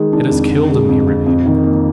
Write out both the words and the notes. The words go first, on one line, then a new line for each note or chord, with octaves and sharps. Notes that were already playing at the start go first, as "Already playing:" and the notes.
"It has killed him!" he repeated.
Already playing: D#3 G#3
D4
F2
D3
G#3
F2
F2
F2
D#3
A#3